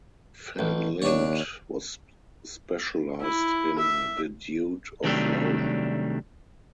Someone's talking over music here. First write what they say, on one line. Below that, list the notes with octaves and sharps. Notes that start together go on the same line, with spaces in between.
Van Lint was specialized in vedute of Rome.
A1
D#2 D4 C#5
E4
E5
C3 D#3 F#3 G3 A3 D4